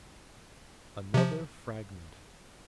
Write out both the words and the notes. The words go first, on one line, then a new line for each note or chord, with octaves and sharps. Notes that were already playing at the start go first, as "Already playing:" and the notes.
Another fragment.
C3 F3